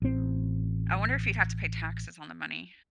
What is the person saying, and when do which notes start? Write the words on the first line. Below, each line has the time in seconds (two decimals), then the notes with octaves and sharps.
I wonder if you'd have to pay taxes on the money.
0.02 A1 C4